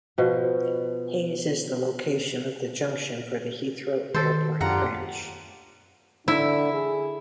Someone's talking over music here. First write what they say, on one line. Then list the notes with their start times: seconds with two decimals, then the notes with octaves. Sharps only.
Hayes is the location of the junction for the Heathrow Airport branch.
0.18 B2 F3
4.14 D#3 A4 C5
4.61 F#2 D4 F4 G4 F#5 A#5
6.28 D3 E4
6.73 G#4